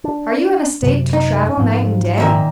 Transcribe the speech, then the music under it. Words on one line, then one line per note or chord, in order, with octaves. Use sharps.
Are you in a state to travel night and day?
D4
F#2 C3
D#4
G#2 F3 C4
A#2 D#3 E5